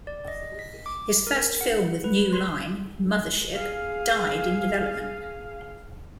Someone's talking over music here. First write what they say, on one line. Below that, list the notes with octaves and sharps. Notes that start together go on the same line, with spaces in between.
His first film with New Line, "Mothership" died in development.
D5
D#5
B6
D6
A#4
F#5
B4
C6
G#4 F5